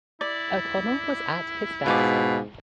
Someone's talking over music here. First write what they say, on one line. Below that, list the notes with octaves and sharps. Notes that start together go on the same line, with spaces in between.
O’Connell was at his desk.
E4 D5
G#2 B2 F4 G#4 D6